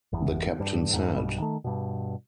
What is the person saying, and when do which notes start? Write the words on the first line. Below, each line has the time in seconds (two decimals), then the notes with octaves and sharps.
The Captain said.
0.12 G1 E2
0.60 G2
0.93 F2 G#2
1.13 B1 G2 B2 G3
1.40 D#3 A3
1.64 G2 B2